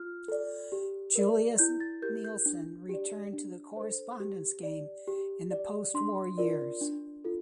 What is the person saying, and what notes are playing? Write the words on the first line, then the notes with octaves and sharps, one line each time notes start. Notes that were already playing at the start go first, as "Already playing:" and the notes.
Julius Nielsen returned to the correspondence game in the postwar years.
Already playing: F4 F6
A4 D5
G4
A#4 D5
E4 G6
A6
G4 A#4 G6
G6
D4
G4 D5
D4
A4 C5
G4
D5
G4
D5
D4 C6
F4 A#4 D5
D4
F4 A4